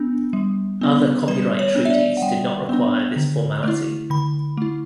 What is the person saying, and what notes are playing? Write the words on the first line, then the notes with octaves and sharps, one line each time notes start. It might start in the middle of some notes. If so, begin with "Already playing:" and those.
Other copyright treaties did not require this formality.
Already playing: B3 D4
G3
B3 D4
G3 B4
C#5
B3 D4
E5
D5
F#5
G3 G5
B3 D4
D3
A3 E4
D3 B5
A3 E4